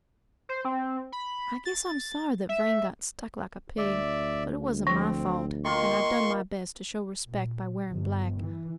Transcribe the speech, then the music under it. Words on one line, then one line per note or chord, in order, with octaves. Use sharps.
I guess I'm sorry that Vrain got stuck like a pig; but it wasn't my fault, and I've done my best to show respect by wearing black.
C5
C4
B5
A6
E5
D2 D5 E5
F3 C4
D#3 A#3 F4 C6 C#6
A#2
G1
E3